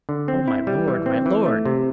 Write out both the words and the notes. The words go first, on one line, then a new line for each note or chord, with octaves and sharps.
"Oh, my lord, my lord!"
D3
C4
E4
G3
E3
C4
E3
A3
C3